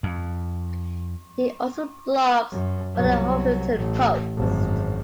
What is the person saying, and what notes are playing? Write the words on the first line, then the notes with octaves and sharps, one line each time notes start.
He also blogs for the "Huffington Post".
F2
F#2
C2 F#3
A1
G#1 F#2